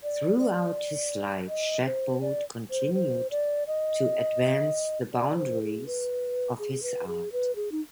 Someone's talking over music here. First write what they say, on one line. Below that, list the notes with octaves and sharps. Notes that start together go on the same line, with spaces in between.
Throughout his life, Shadbolt continued to advance the boundaries of his art.
D5
D5
D#5
C5
D5
C5
C5
D5
D#5
D5
C5
G#4
B4
G#4
B4
G#4
B4
G#4
D#4